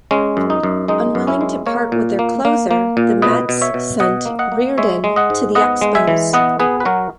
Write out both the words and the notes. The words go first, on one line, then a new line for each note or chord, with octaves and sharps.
Unwilling to part with their closer, the Mets sent Reardon to the Expos.
G#3 C#4
F#2
D#4
F#2
G#3 D#4
F#2
C#4 E4
G#3
A#3 A#4 C#5
A#2
A#3
A#3
A#3
A#2
B2 B4 D#5
B2
C#5 E5
B2
B2 D#5 F#5
A#3
D#5 F#5
A#3
G#3 C#5 E5
G#3
D#5 F#5
G#2
B3 D#5 F#5
G#3
E5 G#5
E3
B3 D#5 F#5
B3 G#4 B4
B4
F#3 F#4 A#4